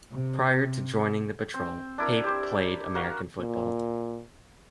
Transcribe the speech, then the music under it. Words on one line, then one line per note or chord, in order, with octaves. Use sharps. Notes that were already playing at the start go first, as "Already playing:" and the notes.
Prior to joining the Patrol, Pape played American football.
C3
C4
D4 E4 A#4
G4 C5
F#4 A#4 F5
A#2